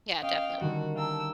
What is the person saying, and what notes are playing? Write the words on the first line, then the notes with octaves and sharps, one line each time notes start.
Yeah, definitely.
C#4 D#5 F5 G5
D3 D#3 G3 F#4
F5 G5 A5 A#5 E6